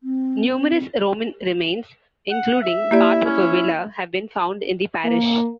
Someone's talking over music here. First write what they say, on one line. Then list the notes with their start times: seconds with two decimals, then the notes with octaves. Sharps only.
Numerous Roman remains, including part of a villa have been found in the parish.
0.03 C4
2.31 F#5
2.62 E5
2.91 A#3 E4 G4 D5
3.25 C#4
5.05 A#3